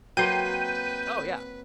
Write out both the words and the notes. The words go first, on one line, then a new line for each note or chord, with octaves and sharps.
Oh, yeah.
F#3 A#3 C4 B4 G5 G6 C7 D#7